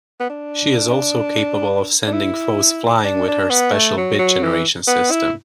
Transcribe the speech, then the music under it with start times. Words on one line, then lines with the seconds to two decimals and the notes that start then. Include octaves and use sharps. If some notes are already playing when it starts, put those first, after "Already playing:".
She is also capable of sending foes flying with her special Bit Generation system.
0.20 B3
0.29 D4
2.07 D4
2.13 E4
3.04 D4
3.28 D4
3.50 B3
3.73 A3
3.97 F#3
4.19 F#3
4.43 E3
4.87 B3
5.11 E4